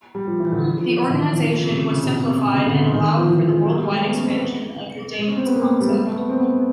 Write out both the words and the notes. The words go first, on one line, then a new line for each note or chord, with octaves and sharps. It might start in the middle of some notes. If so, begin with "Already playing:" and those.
The organization was simplified and allowed for the worldwide expansion of the Damon's concept.
G3
F3
E3
D3
E3
F3
F3
E3
D#3
E3
E3
D#3
F3
C#3
C3
C#3
C#3
C3
B2
C3
C#3
B2
C#3
D3
D3
D#3
F3
E3
F3
F#3
G3
G#3
A3
B3
C#4
C4
B3
G#3
C#4
C4
B3
A#3
G3
G#3
G3
A3
B3
C4
B3